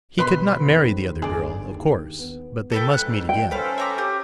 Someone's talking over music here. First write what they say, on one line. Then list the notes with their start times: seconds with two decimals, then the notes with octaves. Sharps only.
He could not marry the other girl, of course, but they must meet again.
0.19 B2 B4 B5 C6
0.66 F2 D#3
1.22 G1 G#4 D5
1.70 D#2
2.19 B3
2.72 A4 B4 G5
2.93 F2 G#2 F#6
3.29 G5
3.51 C#4 A4 B4 C5 F5
3.78 E5 A#5 D6
3.98 G4